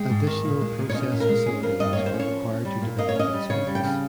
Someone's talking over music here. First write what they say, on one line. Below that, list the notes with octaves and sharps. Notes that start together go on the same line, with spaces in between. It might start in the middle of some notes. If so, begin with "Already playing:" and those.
Additional process facilities were required to develop these fields.
Already playing: G#3 G5
G#2
D#3
A#2
G#3
A#2
C#5
C#4 D#5
A#2
A#4
G#3
C#4 G#4
F3 A#4
G2 D#5
A#3 C#5
C5
C#4
C#5
F3
C#4
G3
A#2
A#3 D#5
C#5
C#4 D#5
G3
C#3 C#5
G3
G5
C#3